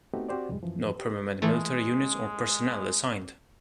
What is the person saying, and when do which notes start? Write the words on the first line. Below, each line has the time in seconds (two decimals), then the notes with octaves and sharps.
No permanent military units or personnel assigned.
0.14 A3 B3 C4 D#4 F#4 G4
0.29 C4 F#4 G4 C5 D5
0.49 C2 F2 G#2 G3 G#3
0.63 F#2 E3 F3
0.99 G4
1.42 E3 G#3 A3